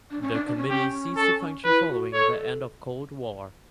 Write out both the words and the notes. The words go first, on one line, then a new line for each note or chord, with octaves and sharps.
The committee ceased to function following the end of Cold War.
D4
C#4
D4
D4
C#4
C#4 G4
A4
E4 B4
F#4
A4 C#5
A4